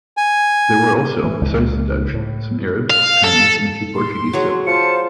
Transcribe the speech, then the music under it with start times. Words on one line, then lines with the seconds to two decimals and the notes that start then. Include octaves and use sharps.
There were also, besides the Dutch, some Arabs, Chinese and a few Portuguese settlers.
0.17 G#5
1.23 E3
1.41 C#2
2.14 A2
2.90 F5
3.24 A4
3.95 C6
4.33 F#3 G#4 C#5
4.67 F4 C5 A5 C#7